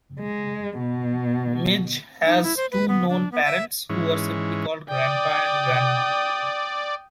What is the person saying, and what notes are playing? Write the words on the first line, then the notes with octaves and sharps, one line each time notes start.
Midge has two known parents who are simply called "Grandpa" and "Grandma".
G#3
B2
D#4
E4
C5
B4
B3
D4
B3
E5
G#2 E3 C#4
D5 G5 D#6